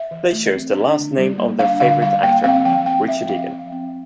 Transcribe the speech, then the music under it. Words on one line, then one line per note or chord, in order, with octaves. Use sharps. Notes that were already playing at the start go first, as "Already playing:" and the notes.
They chose the last name of their favorite actor, Richard Egan.
Already playing: E5
E3
A3
C4
D4
D3
G3
A#3
D4 F5
D3 F5
G3 F5
A#3 G5
C4 F5
F3 G5
C4 G5
F3 E5
C4 F5
F3
C4